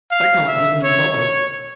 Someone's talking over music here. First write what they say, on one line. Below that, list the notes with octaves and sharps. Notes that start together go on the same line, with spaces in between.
Zeig mal, was alles in dem Korb ist.
F5
E5
C#5
C#5